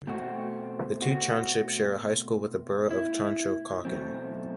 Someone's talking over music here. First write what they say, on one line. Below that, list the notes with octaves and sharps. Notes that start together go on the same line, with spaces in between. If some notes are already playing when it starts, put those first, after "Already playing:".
The two townships share a high school with the borough of Conshohocken.
B2 A3 C4 F#4
F#4
E4
B2 F#3 A3 C4